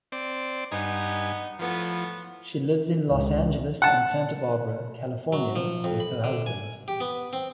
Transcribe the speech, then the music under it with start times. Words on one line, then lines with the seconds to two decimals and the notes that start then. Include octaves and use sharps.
She lives in Los Angeles and Santa Barbara, California with her husband.
0.12 C4 D5
0.72 G2 B3 D#4 G#5
1.59 A2 F3 B3
3.12 C#2
3.82 F#5 A5
5.33 F#3
5.56 F3
5.84 F2
6.00 B5
6.24 D3
6.46 G#5
6.88 G4
7.01 B3
7.33 C4